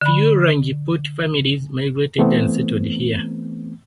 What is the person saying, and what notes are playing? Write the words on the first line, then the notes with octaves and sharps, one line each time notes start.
Few Rajput families migrated and settled here.
D3 B5
E3 A3 B3 C4